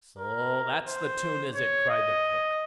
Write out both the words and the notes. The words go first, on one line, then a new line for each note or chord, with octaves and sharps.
"So that's the toon, is it?" cried the cook.
A#4
C5
C#5
D#5